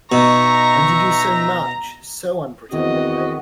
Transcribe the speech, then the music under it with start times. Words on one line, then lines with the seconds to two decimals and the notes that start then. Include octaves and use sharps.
And you do so much, so unpretendingly!
0.12 B2 D#4 E5 A#5 C#6
2.73 E2 D#3 C4 F#4 D#5